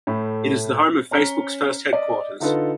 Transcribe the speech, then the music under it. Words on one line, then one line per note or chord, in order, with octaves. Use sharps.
It is the home of Facebook's first headquarters.
A2 A3 B5
C#4 A#5 F6 B6 C#7 G7
D5 D#5
D3 D#4 F4 A4 B4